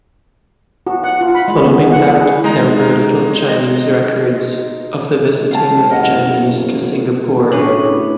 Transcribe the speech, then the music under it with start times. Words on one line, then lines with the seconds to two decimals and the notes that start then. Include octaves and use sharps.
Following that, there were little Chinese records of the visiting of Chinese to Singapore.
0.87 F#4
1.04 F#5
1.21 F4
1.35 B5
1.48 G#3
1.65 B3
1.81 G#4
1.92 F#5
2.05 E4
2.20 G#4
2.44 G#3 D#4 A#5
3.49 D#5
5.51 G#3 C#5 F5 G5 A5
5.90 F#1 A#4 D#5 F#5
7.52 A2 C#4 D4 G#4 B4